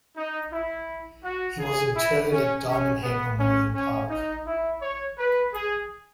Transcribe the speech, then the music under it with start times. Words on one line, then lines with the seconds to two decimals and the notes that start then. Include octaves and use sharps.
He was interred at Diamond Head Memorial Park.
0.17 D#4
0.53 E4
1.24 F#4
1.60 G#4
1.96 E4
2.31 C#4
2.67 C#4
3.03 B3
3.39 C#4
3.74 C#4
4.10 D#4
4.46 E4
4.82 C#5
5.18 B4
5.54 G#4